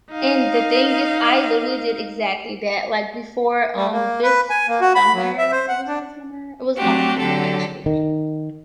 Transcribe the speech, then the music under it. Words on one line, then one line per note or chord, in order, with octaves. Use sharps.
And the thing is, I literally did exactly that, like, before, um, this summer, was it this summer? It was October, actually.
D#4 F5
G3
A#3
B4
G#5
A#3
F#4
B5
F#3
E5
C5
F#5
D4
F#3 A3 C4 D4 F#4 G4
D3 F#3 G4 A4
D#3